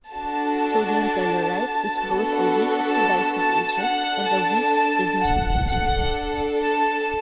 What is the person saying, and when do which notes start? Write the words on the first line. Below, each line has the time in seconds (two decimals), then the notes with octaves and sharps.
Sodium tellurite is both a weak oxidizing agent and a weak reducing agent.
0.11 D4 F#4 A4 A5
1.97 B3 D4 F#4 A4
2.89 A5
3.36 A5
3.82 D4 A4 F#5
4.28 A5
4.74 A5
5.21 F#5
5.67 D4 A4 F#5
6.61 A5